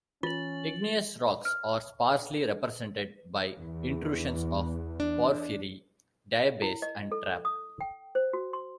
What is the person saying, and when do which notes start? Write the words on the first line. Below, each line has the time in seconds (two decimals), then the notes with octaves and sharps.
Igneous rocks are sparsely represented by intrusions of porphyry, diabase, and trap.
0.23 E3 C#4 F4 A6 F#7
1.45 F6
3.58 E2
5.00 D4
6.62 E4
6.82 D#5
7.12 A4
7.45 D#6
7.81 G5
8.15 C5
8.33 F#4
8.53 C6